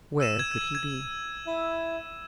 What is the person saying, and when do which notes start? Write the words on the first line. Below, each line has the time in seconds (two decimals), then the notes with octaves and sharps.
Where could he be?
0.20 E6 D#7 E7
0.39 G#6
0.75 G#6
1.47 E4